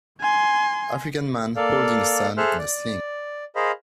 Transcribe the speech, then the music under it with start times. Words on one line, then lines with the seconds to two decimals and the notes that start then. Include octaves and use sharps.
African man holding son in a sling.
0.21 G#5 C6
1.56 A#3 A4 D5 F5
2.37 G#4 A4 C5 E5 F6 F#6
2.58 D5
3.56 G#4 A#4 C5 D#5 F5 B5